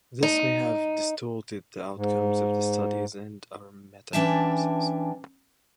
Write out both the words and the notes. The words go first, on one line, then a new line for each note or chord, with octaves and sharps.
This may have distorted the outcomes of the studies and our meta-analysis.
D#4
G#2
E3 C#4 D4 E5 G5 A5